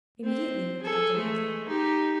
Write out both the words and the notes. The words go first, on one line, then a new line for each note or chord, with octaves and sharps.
"Immediately," replied the landlord.
C4
G#4 A4
G#3 A3
D#4 G4